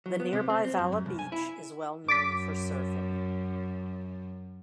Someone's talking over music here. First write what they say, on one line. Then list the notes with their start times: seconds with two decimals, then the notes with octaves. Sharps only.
The nearby Valla Beach is well known for surfing.
0.06 F#3
0.20 B3
0.33 C3
0.50 C4
0.65 C4
0.79 F#2
0.92 F#2
1.06 C2
1.19 G#5
1.32 E4
2.08 F#2 D6 A6 B6